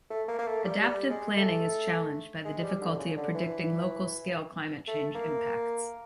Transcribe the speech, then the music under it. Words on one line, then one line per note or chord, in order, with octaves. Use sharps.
Adaptive planning is challenged by the difficulty of predicting local scale climate change impacts.
A3
A#3
A#3
A3
G3
G3
G#3
A3
G#3
G#3
G3
D3
C#3
D3
E3
A3
A#3